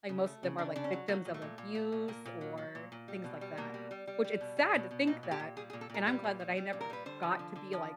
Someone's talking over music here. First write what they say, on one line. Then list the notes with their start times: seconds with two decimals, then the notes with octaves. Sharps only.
Like, most of them are, like, victims of abuse or things like that, which it's sad to think that, and I'm glad that I never got to be, like,
0.09 C#3
0.26 A3
0.43 C#3
0.58 C#3 D4
0.76 C#3 D4
0.84 C#4
0.93 F#3
1.08 F#3 A#3
1.25 A#2
1.34 A3
1.42 A#2
1.58 A#2
1.75 A3
1.92 A#2
2.08 A#2 A#3
2.26 A#2
2.41 F#3
2.58 F#3
2.75 A#2
2.92 A#2
3.08 G3
3.24 B2
3.41 G3
3.57 B2 A#3
3.74 G3
3.91 G3
4.07 G3
4.24 G3
4.41 B2
4.57 G3
4.74 B2
4.91 B2
5.07 A#2 D#4
5.23 A#2
5.31 G4
5.40 A#2
5.57 G3 G#4
5.70 G#4
5.73 A#2
5.81 A4
5.90 A#2 A#4
6.07 G3 B4
6.24 A#2
6.40 G3
6.57 G3
6.73 A#2
6.81 A#4
6.90 G3 B4
7.06 D3 C5
7.23 F3
7.39 D3
7.56 D3
7.73 F3